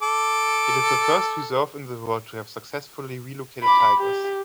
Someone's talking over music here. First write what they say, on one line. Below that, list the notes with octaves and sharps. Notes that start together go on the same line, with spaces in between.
It is the first reserve in the world to have successfully relocated tigers.
A4 D6
B5 D6
G4